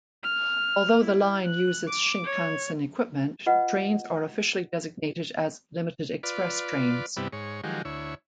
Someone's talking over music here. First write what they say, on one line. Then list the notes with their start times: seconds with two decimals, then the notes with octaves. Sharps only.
Although the line uses Shinkansen equipment, trains are officially designated as limited express trains.
0.23 F6
1.04 E4
1.47 F#6
1.88 D6
2.25 C#5
3.46 F4 B4 D#5 F#5
6.23 F4 B4 D5
7.17 G2 C3 G3 B3 E4
7.33 G#2 C#5
7.64 D#3 F3 F#3 G#3 G4
7.85 D2 E4 C#5